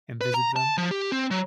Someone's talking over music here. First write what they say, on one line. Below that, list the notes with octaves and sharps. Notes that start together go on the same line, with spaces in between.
and visit them.
B4
A#5
A5
F3
G4
C4
F#3